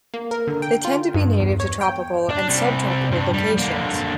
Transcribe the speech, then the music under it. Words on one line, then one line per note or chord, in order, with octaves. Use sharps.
They tend to be native to tropical and sub-tropical locations.
A#3
A#4
D3
G5
F4
G2
E2
C#5
G5
D4
C3 G3
G2
G3
D3 A#3